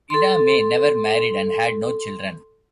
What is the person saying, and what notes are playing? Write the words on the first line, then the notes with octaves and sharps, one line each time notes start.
Ida May never married and had no children.
A4 C6